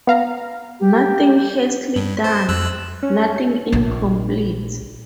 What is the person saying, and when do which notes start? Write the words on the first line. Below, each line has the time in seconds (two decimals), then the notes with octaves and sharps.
Nothing hastily done; nothing incomplete.
0.07 B3 F5 A#5
0.80 G4
1.96 G2
2.24 C5
2.49 F2 E6 F#6
3.03 C#4
3.72 A#1 D4